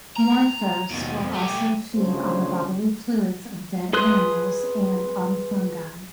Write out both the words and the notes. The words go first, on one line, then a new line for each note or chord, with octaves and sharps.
"Morpho"s will also feed on the bodily fluids of dead animals and on fungi.
A#5
D#2 B2
F2
A3 G4
D2 C#3 F3 D4 C5
G#4 B4 C6 D#6 F#6